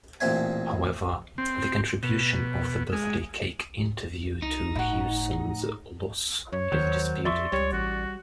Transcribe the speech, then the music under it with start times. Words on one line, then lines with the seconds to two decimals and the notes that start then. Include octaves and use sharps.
However, the contribution of the birthday cake interview to Hewson's loss is disputed.
0.20 A1 A#2 C4 E5 G#5
1.38 C4
2.03 B2
2.92 G#3
4.42 C2 D#4
4.75 G1 A2 E4 F#4
6.53 F#2 C#5
6.72 D#2 D#3 F#3 C5
7.25 F2 D5 E5 C6 C#6
7.52 C#2 G3 C#5
7.73 A1 F#4